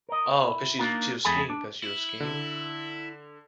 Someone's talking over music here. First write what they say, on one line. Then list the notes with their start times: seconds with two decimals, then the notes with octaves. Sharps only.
Oh, 'cause she's she was skiing 'cause she was skiing?
0.09 A#4 D#5
0.41 E4
0.79 A#3 D4 D#4 F4 A#4
1.25 F2 A3 G#4 A4 G#5 B5
1.50 D4
1.84 E4
2.20 D3